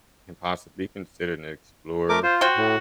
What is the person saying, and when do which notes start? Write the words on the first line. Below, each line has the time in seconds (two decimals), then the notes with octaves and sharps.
can possibly considered an explorer,
2.09 A3 A#4 D6
2.23 F4 C5
2.41 F#4 C5 G5
2.57 A2